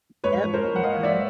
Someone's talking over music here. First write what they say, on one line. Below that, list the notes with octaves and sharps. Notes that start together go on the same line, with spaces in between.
Yep. Mhm.
G#2 B4 C#5
F3
A#4 C5
G#2
F#5
A#3 D#5 F5
G#2 D5 E5